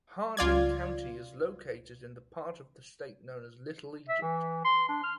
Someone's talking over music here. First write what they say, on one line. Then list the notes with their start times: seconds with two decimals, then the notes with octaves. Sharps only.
Hardin County is located in the part of the state known as Little Egypt.
0.37 C#2 F4 D5 G#6
4.09 E5
4.22 E3
4.65 C6
4.89 D4
5.03 F6